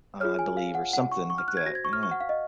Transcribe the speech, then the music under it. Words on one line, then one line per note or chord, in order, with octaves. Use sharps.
I believe, or something like that. Yeah.
F4 G#4 C#5 F6
G#5
F5
F#5
F#5
C#6
C#6
F6
F#6
G#6
F#4 C5 G#6 A#6
C#6
F6
C#6
F#5
F5
D#5